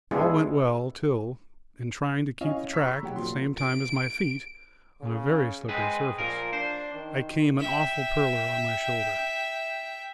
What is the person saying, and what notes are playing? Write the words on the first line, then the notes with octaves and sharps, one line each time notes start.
All went well till, in trying to keep the track at the same time as my feet, on a very slippery surface, I came an awful 'purler' on my shoulder.
G#3 B3 D4 E4 F4 G#4
C#4 E4 C#5 D#5 F5 G#5
A#5 B5 C#6 E6 B6
F#3 G4 F#5
A#2 F3 C6
D7
C#3
G#3 C4 G#4 B4
A#2 F3 A#4
D4 C5
D#3
E5 G5